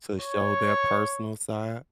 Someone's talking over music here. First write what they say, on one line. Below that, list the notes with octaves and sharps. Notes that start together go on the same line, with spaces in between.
to show their personal side,
C#5